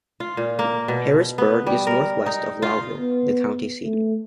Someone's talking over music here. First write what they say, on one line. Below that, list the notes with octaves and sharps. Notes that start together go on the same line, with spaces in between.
Harrisburg is northwest of Lowville, the county seat.
F4
A#2
A#3
B2
B3
G3
A#4
D#4
F4
B3
A3